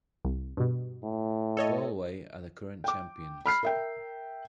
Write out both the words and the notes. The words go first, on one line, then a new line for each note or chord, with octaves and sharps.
Galway are the current champions.
C2
G2 B2
A2
A4 C#5 D#5
G5 D6
B5 F6 C7
A#4 E5 G5